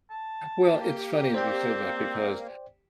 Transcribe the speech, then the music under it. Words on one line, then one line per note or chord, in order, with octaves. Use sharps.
Well, it's funny that you said that because,
A5
A#3 G4
C4 C5 D5 G5